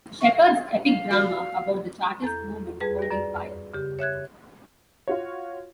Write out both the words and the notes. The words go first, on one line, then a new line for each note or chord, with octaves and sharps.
Shepherd's epic drama about the Chartist movement, Holding Fire!
E5 C#6
F5
F#4 D5
E2 A4 A#5 G6
F2 G3 G#4 B4
D#2 A#6
F#2 D5
C#3 G4
C#5 E5 F#6 G#6
F4 F#4 C#5